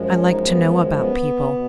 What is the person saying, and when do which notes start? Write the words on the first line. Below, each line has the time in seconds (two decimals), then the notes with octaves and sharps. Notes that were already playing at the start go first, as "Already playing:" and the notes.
I like to know about people.
Already playing: F#2 F3 G#3
0.08 C#4
0.25 D#4
0.43 B3
0.97 B3
1.51 B2